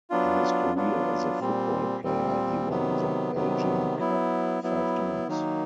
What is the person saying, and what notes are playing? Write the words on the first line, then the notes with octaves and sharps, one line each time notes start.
In his career as a football player he won the Belgian Cup five times.
F#3 B3 D4 F4
F#3 B3 D4 F4
A#2 G3 C4
A#2 G3 C4
C3 D#3 F#3 B3
C3 D#3 F#3 B3
F#3 B3 E4
F#3 B3 E4
D#3 F#3 A#3 D#4